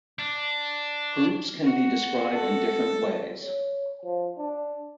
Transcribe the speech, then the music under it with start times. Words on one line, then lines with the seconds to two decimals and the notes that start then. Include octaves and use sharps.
Groups can be described in different ways.
0.19 D4
1.63 F#4
2.34 A4
3.41 C#5
4.05 F3
4.38 D4